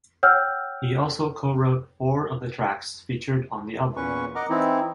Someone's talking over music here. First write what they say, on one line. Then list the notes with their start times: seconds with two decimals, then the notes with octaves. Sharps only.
He also co-wrote four of the tracks featured on the album.
0.23 C#5 F#5 G5 E6 F6 G6
3.96 E2 A#2 C#4 B4 C#6
4.35 A#4 D#5 F#5 A#5 D6 F6
4.50 E3 C4 D#4 E4